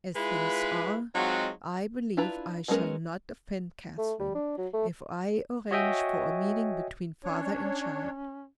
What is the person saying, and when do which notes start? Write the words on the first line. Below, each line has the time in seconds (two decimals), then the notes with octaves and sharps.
As things are, I believe I shall not offend Catherine, if I arrange for a meeting between father and child.
0.15 G#3 E4 F4 B4
1.14 F#3 G#3 C4 D#4 F4 F#4
2.17 D4 E4 F4 B4 A#5
2.68 F#3 G#3 B3 C#4 A#4
3.98 A3
4.19 G3
4.35 D4
4.58 F#3
4.73 A3
5.71 F#4 C#5 D#5 E5 G5 G#5
7.24 C#4 D4 C#5